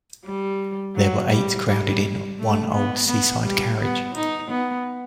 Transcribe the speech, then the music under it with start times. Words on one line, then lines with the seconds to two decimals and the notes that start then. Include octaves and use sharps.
There were eight crowded in one old seaside carriage.
0.26 G3
0.96 F#3
1.31 G3
1.67 G3
2.38 A3
2.73 B3
3.08 B3
3.45 G3
3.80 B3
4.15 D#4
4.50 B3